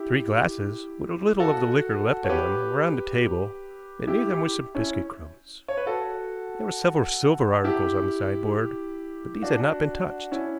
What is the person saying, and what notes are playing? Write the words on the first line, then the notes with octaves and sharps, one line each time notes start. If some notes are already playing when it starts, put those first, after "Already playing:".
Three glasses, with a little of the liquor left in them, were on the table, and near them were some biscuit crumbs. There were several silver articles on the sideboard, but these had not been touched.
Already playing: E4 G4
F#4 A4
C#5
G4 B4
E4 G4
E4 G4
C#4 E4
C#5
B4
F#4 A4
E4 G4
D4 F#4
C#4 E4